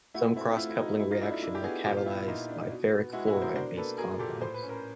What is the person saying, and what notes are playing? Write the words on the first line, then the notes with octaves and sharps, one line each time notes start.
Some cross coupling reaction are catalyzed by ferric fluoride-based compounds.
A3 E4 F#4
C4 E4
F4
A3 E4
E4
F#3 D#4
F#3 E4
D#4 F4
D4 E4
E4
D4 E4
G4
B3 F#4 G#4
A#2 F4 G4
F4
B3 E4
A#2 D#4 F4
D4
B2
B3
G#3 E4 F#4
E4 F#4
B2
A#4 C5
D4 A#4 C5
A#3 A4 B4
F#3 G#4 A#4
A#2 G4 A4
A2 C5
B4
C#4
A#4